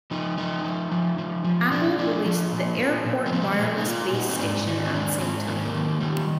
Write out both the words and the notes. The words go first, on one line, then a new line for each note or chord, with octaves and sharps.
Apple released the AirPort Wireless Base Station at the same time.
F3 D#4
F3 D#4
F3
F3
F3
F3
F3 D4
F3 D4
F3
A#2
F3
A#2
A#3
F3 C4
G3
G#3
A#2 A#3
D#4
A#2 F4
A#2 D#4
C4
G#2 D4
D#3 D#4
C4
G#2 D4
G#2 C4
D#3 A#3
C4
A#3
D#3
D#3 G3